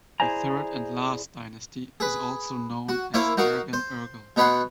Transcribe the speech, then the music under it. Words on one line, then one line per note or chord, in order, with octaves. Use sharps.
The third and last dynasty is also known as Aragon-Urgell.
E4 G#4 C5 D5 G#5 A#5
G#4 B4
F#4
A#3 E4 C5 C#5 F5
D#4 F#4 A#4 F5
C5
B2 D#4 B4 C#5 F#5 C6